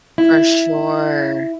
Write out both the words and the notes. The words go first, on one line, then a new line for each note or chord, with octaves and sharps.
For sure.
E4